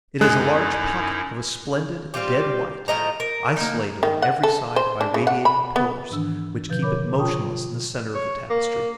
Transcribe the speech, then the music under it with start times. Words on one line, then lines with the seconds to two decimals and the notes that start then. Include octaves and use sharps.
It is a large pocket, of a splendid dead-white, isolated on every side by radiating pillars which keep it motionless in the centre of the tapestry.
0.21 F#2 G#3 D#4 E4 G#5 F#6
2.14 G3 C4 F4 G4
2.88 A2 F3 D#5 A#5
3.20 A#4
3.57 A#3 D#4
4.03 D#3
4.22 F#5
4.43 A4
4.76 C5
5.01 D4
5.14 C#3
5.27 F#5
5.45 B5
5.76 B3
6.11 G#2 D#3 E3 D4 E6
6.69 B2 D3 F3 B4 G6
6.82 A#4 C#5 B5 D6 G6
7.18 F4 C#5 G5 A5 C#6 D#6
8.14 C#5
8.50 A#3